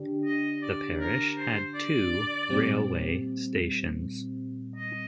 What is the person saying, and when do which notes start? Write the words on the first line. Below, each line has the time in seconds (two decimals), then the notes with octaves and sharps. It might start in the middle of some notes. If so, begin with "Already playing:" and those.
The parish had two railway stations.
Already playing: D3 D4 G4
0.25 D#5
0.62 D5
1.00 A#4
1.37 C5
1.75 D5
2.50 A#2 G3 C4
4.76 D#5